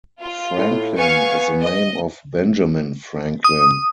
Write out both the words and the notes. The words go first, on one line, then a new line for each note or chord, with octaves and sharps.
Franklin is the name of Benjamin Franklin.
F4
A2
B3 F5 G#5 C#6
D#5
D#6